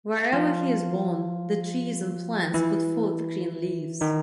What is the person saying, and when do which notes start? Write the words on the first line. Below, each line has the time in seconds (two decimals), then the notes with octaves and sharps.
Wherever he is born, the trees and plants put forth green leaves.
0.33 F3 F4
2.54 E3 E4
4.01 D#3 D#4